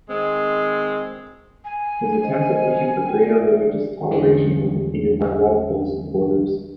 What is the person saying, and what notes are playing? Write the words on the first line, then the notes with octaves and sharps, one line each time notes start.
His attempts at pushing for greater religious toleration were defeated by Walpole's supporters.
D#3 G#3 C4
G#5
C5 D#5
F4 G5
A#4 D5 E5
E2 D3 E3 G#3 C#4